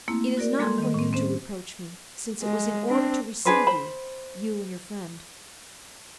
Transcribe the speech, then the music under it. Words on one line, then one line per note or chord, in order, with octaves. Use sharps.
"It is not for you to reproach me, since it was in order to receive you, you and your friend."
A3 A#3 C4 E4
F#4 A#4 D5
G3 G#3 A#3 A4 C6 G#6
D#3 D#5
A2 C4
C4 C#4 C5
G#3
C4 D4
D4 G#4 B4 C5
C5 B5